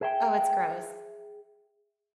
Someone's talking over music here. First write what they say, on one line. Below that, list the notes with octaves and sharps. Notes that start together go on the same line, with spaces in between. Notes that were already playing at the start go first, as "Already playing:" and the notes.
oh, it's gross.
G#4 E5 G5